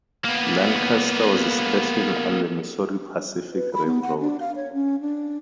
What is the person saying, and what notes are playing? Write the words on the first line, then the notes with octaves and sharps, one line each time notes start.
Lancaster was a station on the Missouri Pacific Railroad.
A#3 B3
B4
B5
B3
F#5
D4
F5
C#5
C#4
D4